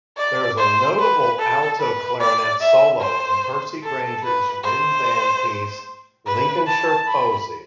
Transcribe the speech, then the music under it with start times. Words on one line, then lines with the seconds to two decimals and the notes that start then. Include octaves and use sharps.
There is a notable alto clarinet solo in Percy Grainger's wind-band piece "Lincolnshire Posy".
0.17 D5
0.58 C5
0.98 B4
1.39 A4
1.80 B4
2.20 D5
2.61 E5
3.01 C5
3.83 A4
4.23 B4
4.64 C5
6.26 B4
6.67 A5
7.07 B5